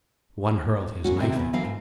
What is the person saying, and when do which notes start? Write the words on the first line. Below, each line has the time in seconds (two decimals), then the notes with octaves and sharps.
One hurled his knife at me.
1.05 E2 A#3 C#4 F#4
1.20 C3 D#3 E4
1.35 E2 G2 B3
1.53 D3 E3 F#3 A#3 F5
1.65 G#2